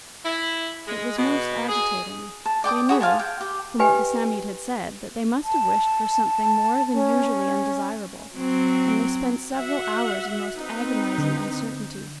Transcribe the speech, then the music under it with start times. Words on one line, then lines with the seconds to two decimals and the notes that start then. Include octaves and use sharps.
It was most agitating; they knew, from what the Psammead had said, that they must have wished for something more than usually undesirable, and they spent several hours in most agonizing uncertainty.
0.24 E4
0.87 G#3
1.18 B2
1.69 G#4
2.46 A5
2.64 D5 G5 D6 D#6
2.89 F#4 G#4 B5
3.01 F4 F5 G#5 A5
3.19 G5
3.41 G4
3.79 G4 B4 D#5 G5 G#5
5.44 A5
6.93 C#4
8.35 F#3 C4
9.57 F#4 E5 F#5
10.57 C4 D#4 B4
11.15 D3 G6